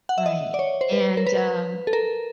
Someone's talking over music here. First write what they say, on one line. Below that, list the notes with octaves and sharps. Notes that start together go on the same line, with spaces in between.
Right. And, um,
F#5
E5
D#5
D5
C#5
C5
B4
A#4
B4
A4
A#4